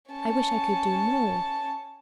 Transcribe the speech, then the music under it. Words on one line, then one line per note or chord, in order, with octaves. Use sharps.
'I wish I could do more.'
C#4 A5